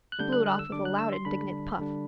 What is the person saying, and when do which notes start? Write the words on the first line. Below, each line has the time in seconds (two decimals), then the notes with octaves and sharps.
He blew it off with a loud, indignant puff.
0.12 F#6
0.19 D3 G3 D4 G6
0.32 F#6
0.46 F#6
0.59 E6
0.72 D3 G3 D4 D6
0.85 F#6
0.99 E6
1.13 C6
1.25 D3 G3 D4 B5
1.79 D3 G3 D4